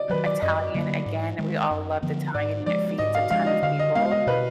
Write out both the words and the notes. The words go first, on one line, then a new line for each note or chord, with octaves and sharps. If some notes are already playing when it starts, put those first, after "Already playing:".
Italian again. We all loved Italian, and it feeds a ton of people.
Already playing: D5 D#5
D#3 F#3 B4
D5
F#2 D#5
D3 F#3 A#3
G#2
D#3 G#3
F#2
D3 F3 B3
G#2 D5
F3 G#3 D5
G#2 D#5
F5
F3 G#3 D4 F5
D#5
D3 F5
D#5
G#3 B3 F5
D#5
B2 B4